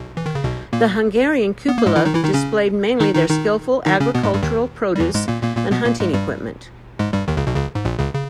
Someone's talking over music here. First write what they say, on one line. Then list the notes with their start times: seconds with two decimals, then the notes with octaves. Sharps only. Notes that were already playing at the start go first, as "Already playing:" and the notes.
The Hungarian cupola displayed mainly their skillful agricultural produce and hunting equipment.
Already playing: B1 B2
0.17 E3
0.26 D#3
0.35 C#3
0.44 B1 B2
0.73 A#2 A#3
1.68 B3
1.78 A#3
1.86 G#2 G#3
1.96 E3 E4
2.05 D#3 D#4
2.15 E3 E4
2.24 D#3 D#4
2.34 C#3 C#4
3.00 D#3 D#4
3.15 D#3 D#4
3.29 D#3 D#4
3.86 D#3 D#4
4.00 C#3 C#4
4.14 B2 B3
4.23 G#2 G#3
4.34 G2 G3
4.43 D#2 D#3
4.95 G3
5.00 E2 E3
5.14 G#2 G#3
5.28 A#2 A#3
5.43 A#2 A#3
5.57 A#2 A#3
5.71 B2 B3
5.85 A#2 A#3
6.00 G#2 G#3
6.13 G2 G3
6.99 G#2 G#3
7.13 G2 G3
7.28 D#2 D#3
7.37 C#2 C#3
7.47 B1 B2
7.56 C#2 C#3
7.75 G#2
7.85 A#1 A#2
7.99 C#2 C#3
8.14 C#3